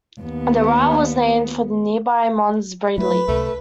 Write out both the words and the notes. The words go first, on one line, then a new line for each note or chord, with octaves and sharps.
The rille was named for the nearby Mons Bradley.
D#2 B3
F#3 A3 E4 B4
C#2 C3 A3